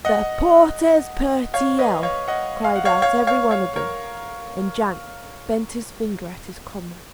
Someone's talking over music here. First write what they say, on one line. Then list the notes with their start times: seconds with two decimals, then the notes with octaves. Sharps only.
"The porter's purty health!" cried out every one of them, and Jack bent his finger at his comrades.
0.05 D#5 F#5
1.54 C#5 F5
1.79 B4 D#5
2.03 C#5 F5
2.28 D#5 F#5
2.64 F5
2.76 F#5
2.85 C#5 F5
3.02 C#5 F5
3.27 C#5 F5
3.51 C#5 F5
3.76 A#4 C#5